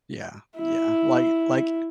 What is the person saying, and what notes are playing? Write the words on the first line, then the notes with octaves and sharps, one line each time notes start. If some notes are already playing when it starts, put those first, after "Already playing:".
Yeah, yeah. Like like,
E4